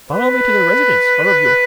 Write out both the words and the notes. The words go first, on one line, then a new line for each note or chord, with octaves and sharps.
"Follow me to the Residence--all of you!"
B4